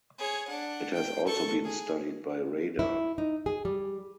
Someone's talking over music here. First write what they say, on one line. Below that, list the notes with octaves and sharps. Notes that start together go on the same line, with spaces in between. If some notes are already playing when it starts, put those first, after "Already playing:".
It has also been studied by radar.
G#4 C#5
D4 F#5
G5
A4 C#6
G#4
E4
D#4
G#4
G3